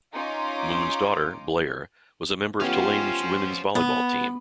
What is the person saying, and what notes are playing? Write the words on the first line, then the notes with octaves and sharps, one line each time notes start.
Moon's daughter, Blair, was a member of Tulane's women's volleyball team.
C#4 D#4 F4 A#5 C6 D6
A3 B3 C#4 F4 G4 C5 F5 C6
B3